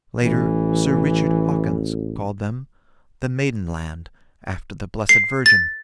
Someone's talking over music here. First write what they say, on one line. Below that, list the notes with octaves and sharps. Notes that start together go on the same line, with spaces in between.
Later Sir Richard Hawkins called them the Maidenland, after the Blessed Virgin.
A1 E3
C7
A6